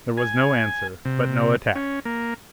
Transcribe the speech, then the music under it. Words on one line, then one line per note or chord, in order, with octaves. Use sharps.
There was no answer, but no attack.
G#5
C3
C#4
A#3